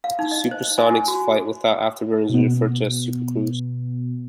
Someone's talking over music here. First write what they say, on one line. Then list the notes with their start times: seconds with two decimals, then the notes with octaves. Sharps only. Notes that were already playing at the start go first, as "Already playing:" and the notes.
Supersonic flight without afterburners is referred to as supercruise.
0.04 F5
0.19 D#4
0.31 D#5
0.51 C5
0.78 G#5
1.08 F#4
2.30 B2 B3